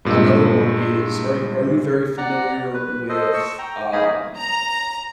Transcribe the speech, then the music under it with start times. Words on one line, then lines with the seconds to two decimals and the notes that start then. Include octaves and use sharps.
another one is are are you very familiar with, um,
0.05 G2 A#2 G#3
2.18 D5 F#5 A#5
2.74 B4
3.09 A4 C5 D#5
3.33 C#6 E6
3.59 G5 A#5
3.93 A#3 D#4 G#4 D#5 B5
4.37 A#5